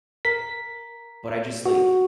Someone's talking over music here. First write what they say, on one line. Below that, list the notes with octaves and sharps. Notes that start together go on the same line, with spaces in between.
But I just, like
A#4 B6
F#4